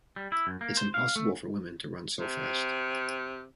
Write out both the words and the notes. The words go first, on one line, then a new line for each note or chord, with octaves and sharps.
It's impossible for women to run so fast.
G3
E4
F#2
A#3
C5
F5
A3
C3